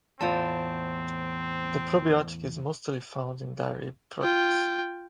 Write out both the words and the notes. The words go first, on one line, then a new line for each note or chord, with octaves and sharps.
The probiotic is mostly found in dairy products.
E2 A2 C4 F4 C5 A5
F4 G5